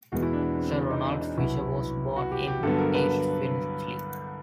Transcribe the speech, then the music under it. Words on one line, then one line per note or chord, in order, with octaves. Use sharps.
Sir Ronald Fisher was born in East Finchley.
E2 B2 G#3 B3 F#4
E4
D4
D4
C4
C#4
D#4
D4
D#4
C2 B2 F#3 B3 E4
F#4
G4
G4
G2 D3 F#3 B3 A4
A#4
B4